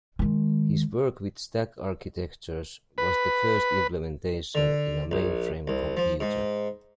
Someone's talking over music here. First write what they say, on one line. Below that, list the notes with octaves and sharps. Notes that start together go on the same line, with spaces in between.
His work with stack architectures was the first implementation in a mainframe computer.
D#3 G#3
B4
D3
A#1
C2
F3
G#2